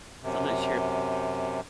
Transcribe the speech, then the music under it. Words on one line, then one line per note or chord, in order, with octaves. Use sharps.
so I'm not sure
F#2 C3